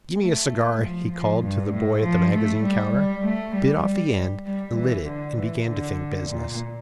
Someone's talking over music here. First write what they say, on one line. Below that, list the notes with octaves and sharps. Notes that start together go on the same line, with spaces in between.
'Gimme a cigar,' he called to the boy at the magazine counter; bit off the end, lit it, and began to think business.
A3
F3
F3
G2
A2
F3
A3
G3
G3
A3
G3
G3
G3
E3
D3
E3
D3
A#2